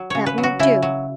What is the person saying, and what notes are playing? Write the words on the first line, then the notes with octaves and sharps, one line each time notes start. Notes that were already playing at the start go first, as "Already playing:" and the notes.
'That won't do.
Already playing: F#3
C#3 C#5
B4
F#3
F#4
C#3 E4
F#3